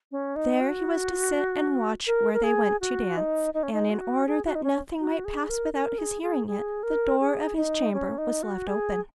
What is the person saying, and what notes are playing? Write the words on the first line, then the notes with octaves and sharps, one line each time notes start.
There he was to sit and watch where they went to dance; and, in order that nothing might pass without his hearing it, the door of his chamber was left open.
C#4
D#4
F#4
A#4
A#4
G#4
F#4
D#4
D#4
C#4
D#4
F#4
G#4
F#4
D#4
C#4
F#4
G#4
A#4
A#4
G#4
G#4
G#4
A#4
G#4
D#4
C#4
D#4
F#4
G#4